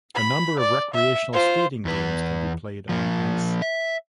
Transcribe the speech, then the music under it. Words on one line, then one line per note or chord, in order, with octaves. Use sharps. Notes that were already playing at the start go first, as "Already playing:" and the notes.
A number of recreational skating games can be played on ice.
B5
D5
E5
F4 C5
E2 B4
F3 A#3
E5